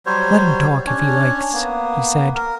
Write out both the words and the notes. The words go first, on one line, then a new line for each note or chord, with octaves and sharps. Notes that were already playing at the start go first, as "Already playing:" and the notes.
"Let him talk if he likes," he said.
F#3 G3 C5 C#5
C#4 D4 C#5
A#3 B3
A#4